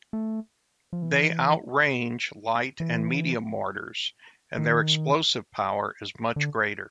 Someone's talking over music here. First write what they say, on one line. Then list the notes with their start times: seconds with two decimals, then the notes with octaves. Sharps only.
They outrange light and medium mortars, and their explosive power is much greater.
0.13 A3
0.93 F3
1.02 E3
2.80 E3
4.58 D#3
6.36 D3